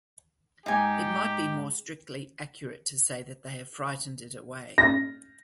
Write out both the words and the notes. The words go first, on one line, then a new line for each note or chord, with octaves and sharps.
It might be more strictly accurate to say that they have frightened it away.
G#2 G#3 D#4 G4 G#5
A#6